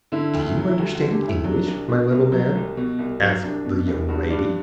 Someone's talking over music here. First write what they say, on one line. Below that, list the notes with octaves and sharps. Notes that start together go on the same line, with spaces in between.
"Do you understand English, my little man?" asked the young lady.
D3 E4
D2
F#3
E4
D2 F#4
F#4
D3
G4
D2
E4
F#3 D4
C2
B2
C2
F#3
C2
B2
C2
F#3
C2 D4
B2
C2
G2 F#4
G2 D5